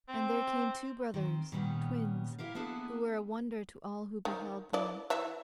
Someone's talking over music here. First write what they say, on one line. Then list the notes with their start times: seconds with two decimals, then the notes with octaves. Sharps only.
And there came two brothers, twins, who were a wonder to all who beheld them.
0.08 C4
1.14 D#3 C4
1.52 A#2 D#3 G3 B3 C#4
2.38 E4 G4 A#4 F5
2.55 A#3 B3 D4 E4 G#4 A4
4.25 D#3
4.73 E4 D5
5.10 E3 E5